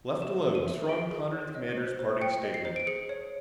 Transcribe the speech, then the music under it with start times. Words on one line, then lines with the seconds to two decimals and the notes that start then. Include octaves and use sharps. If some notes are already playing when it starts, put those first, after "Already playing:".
Left alone, Strong pondered the commander's parting statement.
0.22 E5 E7
0.45 C#5
0.55 D#7
0.67 E5
0.88 G#4 D7
1.11 G#4
1.33 C#5
1.55 D#5
1.77 C5
1.99 C5
2.21 G5 C#7
2.43 D#5
2.54 C7
2.65 C5
2.76 D7
2.87 G#4 C#7
3.09 C#5